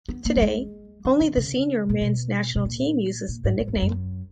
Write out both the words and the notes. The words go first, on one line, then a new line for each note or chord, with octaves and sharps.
Today, only the senior men's national team uses the nickname.
B3
A#3
F#3
G#3
E3
D#3
C#3
A#2
B2
B2
A#2
A#2
G#2
G#2
F#2
E2
F#2